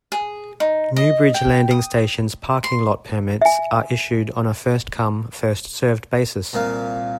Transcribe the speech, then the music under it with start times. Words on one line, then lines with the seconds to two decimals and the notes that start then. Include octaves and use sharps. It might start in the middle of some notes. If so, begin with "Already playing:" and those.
New Bridge Landing station's parking lot permits are issued on a first-come, first-served basis.
0.12 G#4
0.60 D#4
0.96 D#5
1.34 G5
1.71 D#6
2.64 C6
3.41 E5 G#5
6.53 C2 A#2 A#3